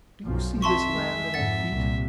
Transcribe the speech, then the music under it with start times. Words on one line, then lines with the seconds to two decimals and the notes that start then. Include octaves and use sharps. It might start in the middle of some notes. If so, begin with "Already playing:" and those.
'Do you see this land at our feet?'
0.23 B1 F#2 F3
0.62 F2 E5 A5 C6 C#6
0.93 G#3
1.34 F2 G#2 F#5 A6
1.68 C2 A#2